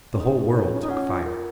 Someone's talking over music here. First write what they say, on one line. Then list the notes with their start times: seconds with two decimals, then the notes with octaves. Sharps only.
The whole world took fire.
0.14 C#4
0.20 D#4 G#4
0.37 G#4
0.47 D#4
0.55 C#5
0.73 C#4 F4
0.81 D#4
0.89 C#4 F#5
1.09 F4
1.26 A#4